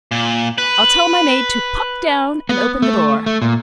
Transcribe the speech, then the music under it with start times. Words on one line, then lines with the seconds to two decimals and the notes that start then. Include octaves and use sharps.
"I'll tell my maid to pop down and open the door."
0.12 A#2
0.58 B4
2.49 B3
2.82 A3
3.26 A3
3.42 A#2